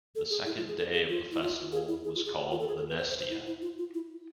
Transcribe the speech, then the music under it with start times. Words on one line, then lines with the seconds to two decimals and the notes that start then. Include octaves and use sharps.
The second day of the festival was called the "nesteia".
0.15 A4
0.30 G#4
0.46 E4
0.57 F4
0.68 G#4
0.78 A4
0.94 G#4
1.09 F4
1.32 E4
1.42 F4
1.72 G#4
1.88 E4
2.04 G#4
2.15 F4
2.25 G#4
2.51 F4
2.60 A4
2.68 G#4
2.78 A4
2.89 B4
2.98 C5
3.09 C5
3.20 C5
3.30 E4
3.46 E4
3.62 F4
3.78 F4
3.94 E4